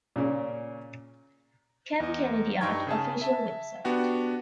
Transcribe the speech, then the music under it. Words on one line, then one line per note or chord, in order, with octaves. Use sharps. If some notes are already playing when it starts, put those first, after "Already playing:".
Cam Kennedy Art - Official website.
A#2 C#3 C#4
E2 D#5
G2 D#4 G5 C#6 G#6
C#3 G#4 A5
E5 A5
B3 D4 F#4 G4